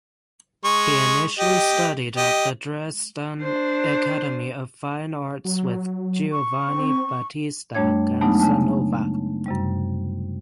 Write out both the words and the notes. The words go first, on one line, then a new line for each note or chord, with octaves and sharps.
He initially studied at the Dresden Academy of Fine Arts with Giovanni Battista Casanova.
G#3 C#6
G4 D#5
G4 D#5
D4 C5
F#3
C#6
C4
F#2 G3 A3 D4 C#5 G#6
F#3 G#3 A3 B3 D4 D#4
C#3 G#5 A5
F#2 C3 G3